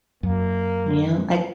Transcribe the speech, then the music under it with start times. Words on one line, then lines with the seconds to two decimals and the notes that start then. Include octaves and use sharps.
Yeah, I
0.23 F#2 A#3